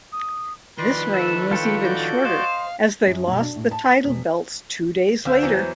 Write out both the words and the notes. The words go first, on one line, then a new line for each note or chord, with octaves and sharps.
This reign was even shorter, as they lost the title belts two days later.
D#6
D#3 F3 B4 D5 C6 A#6
A4 E5
F4 A4 C#5 G5
F#4 D5 G6
C5 D#5 F5
F#2
B1
D4
A2
A5
B6
E1
D2 C5 F5 E6
E2 E3 F#3